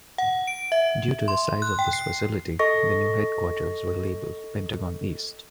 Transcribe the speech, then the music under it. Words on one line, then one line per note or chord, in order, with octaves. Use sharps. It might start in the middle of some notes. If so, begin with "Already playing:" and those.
Due to the size of this facility, the new headquarters were labelled Pentagon East.
F#5
D7
E5
C6
F#6
G5
C7
A4 D#5 C#6 A#6